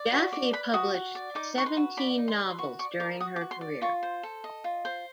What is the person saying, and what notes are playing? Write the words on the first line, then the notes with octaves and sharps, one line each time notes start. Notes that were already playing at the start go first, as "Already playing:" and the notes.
Jaffe published seventeen novels during her career.
Already playing: D5
F#4 C#6
D5
B4 B5
F#4 D#6
F#4
D5
D#4 D6
B4 C#6
C6
F#4
D5 B5
D#4
C6
B4
C6
F#4 C#6
D5 C#6
A#4 D6
F#4 D#6
D6
F#4
C6
D5
F4 C#6
C5
A4
D#5
F4
C5